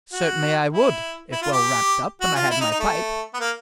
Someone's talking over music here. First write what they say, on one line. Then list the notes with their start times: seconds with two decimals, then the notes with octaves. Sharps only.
"Certainly I would, if well wrapped up, and I had my pipe."
0.13 F#4
0.73 E4
1.32 E4
1.42 F4
1.52 G4
2.21 F#4
2.35 F4
2.50 E4
2.61 D#4
2.71 D#4
2.80 A3
3.34 B3
3.40 A#3